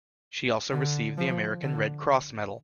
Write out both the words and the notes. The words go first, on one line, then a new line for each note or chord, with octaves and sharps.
She also received the American Red Cross Medal.
D3
F3
D3